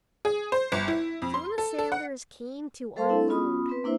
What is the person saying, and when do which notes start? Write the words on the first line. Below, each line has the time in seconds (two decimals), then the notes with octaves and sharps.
Soon the sailors came to unload.
0.25 G#4
0.52 C5
0.72 G1
0.88 E4
1.22 F2
1.34 C6
1.58 A4
1.79 A4
1.92 F#5
2.96 G3 A4 C5 F5 A5 C6
3.09 C4 D4 E4 A4
3.29 B3 C#4 F4 B5 D#6
3.69 C4 B4
3.84 A#3 D4 E4 C5 E5